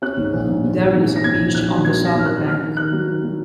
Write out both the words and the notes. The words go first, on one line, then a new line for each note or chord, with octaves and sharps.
There is a beach on the Sava bank.
C#4 F#6
G#2
A#1
G#2
G#2
A#1
G#2
C#4
A#6
G#2 G#6
A#1
A#1 F#6
F#3
F#3 G#6
C#4 A#6
G#2 F6
F#6
C#4
D#3 F6
D#3
D#3 F#6
F#3
D#3
F#3